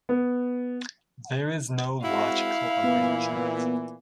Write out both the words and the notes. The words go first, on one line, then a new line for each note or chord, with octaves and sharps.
There is no logical arrangement.
B3
G#3 C4 E4 F#4 F5
A#2 E3 B3